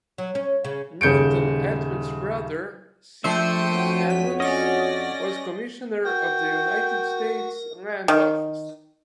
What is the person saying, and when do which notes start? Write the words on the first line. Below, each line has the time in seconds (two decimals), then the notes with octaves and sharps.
Newton Edmunds' brother, C. E. Edmunds, was Commissioner of the United States Land Office.
0.18 F#3
0.35 C#4
0.65 C#3
1.01 D#1 C#3 G6 C#7 D7
3.24 F3 A3 D4 C5 E5 G5 C#7 D#7
3.74 F2 F#4 C#5
4.10 B6
4.40 C#4 D5 D#5 A#6
6.05 F#4 A#4 G5
8.08 D#3